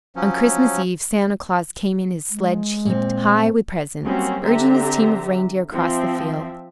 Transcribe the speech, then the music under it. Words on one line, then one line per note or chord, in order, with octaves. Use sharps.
On Christmas Eve Santa Claus came in his sledge heaped high with presents, urging his team of reindeer across the field.
F3 F#3 C#4
G#3
A#2 C4
F#3 G3 A#3 C4 C#4 F#4
D3 C4 G4 E5 A#5
F3 C4 E5